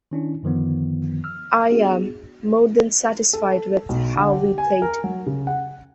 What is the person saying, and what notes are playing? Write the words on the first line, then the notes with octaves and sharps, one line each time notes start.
I am more than satisfied with how we played.
D#3 C#4 D4 E4
F#2 D3 D#3 F3 B3
E6 F6
B3 D4 F#4 G#4
A4
B1
D3
G4
G#5
A#4
F#3
C#3
F#5